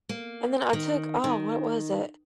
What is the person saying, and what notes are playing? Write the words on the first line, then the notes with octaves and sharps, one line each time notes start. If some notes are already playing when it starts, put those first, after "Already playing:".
And then I took Oh, what was it?
A#3
D#3
D#3